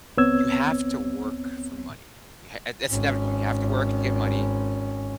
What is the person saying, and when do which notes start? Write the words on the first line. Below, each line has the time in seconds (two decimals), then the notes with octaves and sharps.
you have to work for money. Y ha uh, it's inevitable. You have to work to get money.
0.17 C#2 B3 C4 C#5 E6 G#6
2.90 G#1 C#4